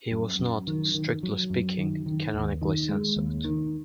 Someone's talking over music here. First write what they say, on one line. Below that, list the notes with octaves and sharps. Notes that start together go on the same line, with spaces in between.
He was not, strictly speaking, canonically censored.
F#2
F#2
D#3
D#3
F#3
F#2
D#3
D#3
D#2
D#3
G#3
D#2
D#3